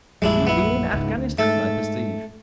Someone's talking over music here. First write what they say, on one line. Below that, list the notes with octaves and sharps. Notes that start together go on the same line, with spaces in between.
"You have been in Afghanistan, I perceive."
A#1 F#2 G3 G#3 D4 E4
B3 E4
C#2 G#2
D2
G#2 A3 A4